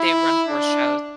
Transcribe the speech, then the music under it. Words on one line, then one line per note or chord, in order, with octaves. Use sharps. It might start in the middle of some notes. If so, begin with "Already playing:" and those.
they run horse shows,
Already playing: E4
D4